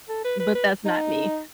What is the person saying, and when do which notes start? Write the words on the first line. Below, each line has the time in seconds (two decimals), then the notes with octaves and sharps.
but that's not me,
0.09 A4
0.24 B4
0.40 B4
0.55 B4
0.86 D#4